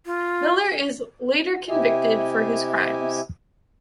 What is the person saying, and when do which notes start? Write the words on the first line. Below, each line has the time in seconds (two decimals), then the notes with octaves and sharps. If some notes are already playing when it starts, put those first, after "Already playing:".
Miller is later convicted for his crimes.
0.06 F4
1.69 C3 E4 G4 D#5 E5 G#5